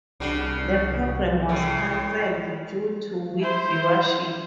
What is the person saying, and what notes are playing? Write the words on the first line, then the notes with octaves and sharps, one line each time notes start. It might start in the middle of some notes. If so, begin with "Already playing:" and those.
The program was canceled due to weak viewership.
C2 C#3 D4 F#4
A2 C#3
E4 C5